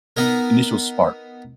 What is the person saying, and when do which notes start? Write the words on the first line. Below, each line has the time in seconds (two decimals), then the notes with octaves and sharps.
initial spark
0.17 B3 D#4 A#4